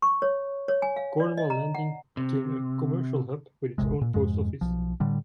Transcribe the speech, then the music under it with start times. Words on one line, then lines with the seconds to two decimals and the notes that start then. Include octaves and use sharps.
Cornwall Landing became a commercial hub with its own post office.
0.02 C#6
0.22 C#5
0.68 C#5
0.82 G#5
0.96 F5
1.20 D5
1.37 D#5
1.50 A#5
1.75 F#5
2.17 C3
3.78 E1 A1 C3 G#3
4.01 A#2
4.14 F2 G#2 G#3
4.61 B1 F3
5.00 A2 D3 G3